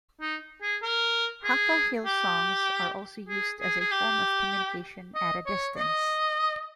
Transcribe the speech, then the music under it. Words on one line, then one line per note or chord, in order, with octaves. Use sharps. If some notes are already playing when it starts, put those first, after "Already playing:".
Hakka hill songs are also used as a form of communication at a distance.
D#4
G#4
A#4
G#4
G4
G#4
G#4
G#4
G4
D#5
C#5
D#5